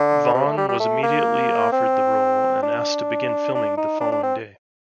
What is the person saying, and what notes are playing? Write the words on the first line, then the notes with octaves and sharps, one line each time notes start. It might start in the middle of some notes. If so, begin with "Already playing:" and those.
Vaughn was immediately offered the role, and asked to begin filming the following day.
Already playing: D3
C3
A3
G3
G3
A3
A#3
C4
D4
D4
D#4
D4
D4
C4